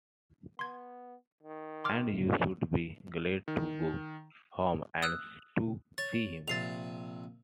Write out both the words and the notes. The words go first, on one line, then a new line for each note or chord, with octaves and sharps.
And you should be glad to go home, and to see him.
B3 C6 G#6
D#3
C6 D6 F6
D#3
D#6 E6 F#6
C#5 A6
A#1 C3 A6 C7 F7